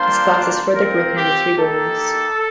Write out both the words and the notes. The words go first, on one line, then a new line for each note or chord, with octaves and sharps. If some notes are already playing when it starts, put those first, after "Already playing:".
This class is further broken into three orders.
Already playing: G3 A#3 D4 F4 C5
C4 F4 A#4
G4
A#3 D#4 G4 A4